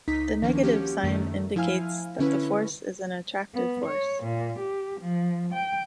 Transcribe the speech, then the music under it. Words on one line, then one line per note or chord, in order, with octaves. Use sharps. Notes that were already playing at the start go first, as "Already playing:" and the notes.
The negative sign indicates that the force is an attractive force.
C#2 D#4 B6
D#3 F3 A#3 C#4 D4
F3 C#4 F#4 G4
F#2 D#3 A3
F3 E4 F5 G#5 F6
D3 C#4 E4 B4
B3
C#5
A#2
G4
F3
G5